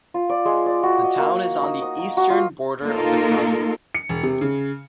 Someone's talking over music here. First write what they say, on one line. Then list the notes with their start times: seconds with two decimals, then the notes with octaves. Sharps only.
The town is on the eastern border of the county.
0.14 F4
0.30 D5
0.45 G#3
0.66 D5
0.83 F#4
1.04 D#5
1.18 A#3
1.62 D#4
1.82 D#6
1.98 A#5
2.17 F#4
2.30 F4
2.82 A#3 D#4 F4 A4 A#4
3.95 C#7
4.09 E1
4.23 C3
4.41 C#3